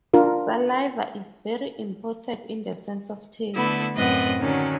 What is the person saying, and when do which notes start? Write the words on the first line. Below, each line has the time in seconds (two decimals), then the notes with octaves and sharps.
Saliva is very important in the sense of taste.
0.14 D4 F4 A#4
3.55 D3 A3 B3 E4
3.96 F#2 A2 C4 B4 D#5 F#5
4.40 D3 D#3 F#3 C#4